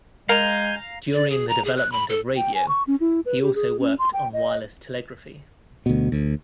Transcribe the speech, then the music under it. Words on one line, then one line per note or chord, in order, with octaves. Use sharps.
During the development of radio, he also worked on wireless telegraphy.
G#3 A#4 F5 G#5 A#5 G6
D5
G#4
A#5
G#4
F#6
B5
A4
G5
G#5
C#6
C#4
E4
B4
G4
G#4
C#4
C6
G5
D#5
D2 B2
D2